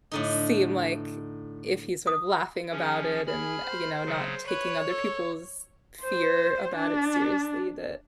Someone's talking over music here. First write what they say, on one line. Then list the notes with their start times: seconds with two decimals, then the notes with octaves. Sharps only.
seem, like, if he's sort of laughing about it and, you know, not taking other people's fear about it seriously, that,
0.11 A2 D3 D#4
2.07 D#6
2.71 F3 C#4 G#4
3.27 G#4 B5 F6
3.66 C5
4.06 C#3 F#3
4.47 B4 C#5 B5
4.89 A4
6.03 C5
6.76 D4